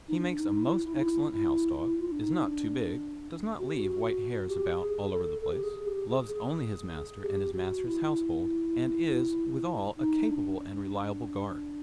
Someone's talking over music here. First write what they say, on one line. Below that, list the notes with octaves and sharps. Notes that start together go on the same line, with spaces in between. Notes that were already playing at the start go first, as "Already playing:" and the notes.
He makes a most excellent house-dog, is not too big, does not leave white hairs about all over the place, loves only his master and his master's household, and is, withal, a capable and reliable guard.
D#4
D4
D#4
E4
E4
D#4
E4
E4
E4
F4
D4
D#4
D4
F#4
G4
F#4
G4
G#4
A4
A4
G4
G#4
G4
G#4
G#4
G4
F#4
E4
D#4
D4
D4